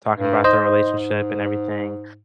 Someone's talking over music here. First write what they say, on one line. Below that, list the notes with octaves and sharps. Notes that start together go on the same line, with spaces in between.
talking about their relationship and everything,
G2
G#2 C5 D#5